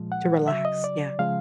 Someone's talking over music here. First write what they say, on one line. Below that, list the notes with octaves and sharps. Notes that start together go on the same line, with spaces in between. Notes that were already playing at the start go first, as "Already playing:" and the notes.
To relax, yeah.
Already playing: A#2 F3 G#3
F#5
C#3 F#3 E5
D#5
D5
C#3 F3 G#3 F5